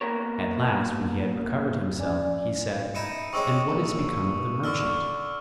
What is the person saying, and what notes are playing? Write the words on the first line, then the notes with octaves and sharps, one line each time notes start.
At last, when he had recovered himself, he said, "And what is become of the merchant?"
A#3 B3 A#4 C#5
F3 C#4 D5 G#5
D#4 E4 G5 C#7 D#7 E7
C3 G#3 C#4 C#6 D#6 E6
A#1
D3 C#6 E6 F6